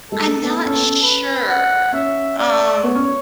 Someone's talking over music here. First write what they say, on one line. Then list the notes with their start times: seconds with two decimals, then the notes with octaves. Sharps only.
I'm not sure, um.
0.12 G#3 A4
0.27 A3
0.43 B3
0.57 A4
0.66 C#4
0.74 B3
0.83 C#4
1.03 B4
1.48 F#5
1.93 C#4 E5
2.39 D5
2.83 B3 C#5
2.95 C#4